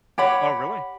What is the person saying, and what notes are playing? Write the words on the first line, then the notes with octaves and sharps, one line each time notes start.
Oh, really?
G4 C#5 F#5 B5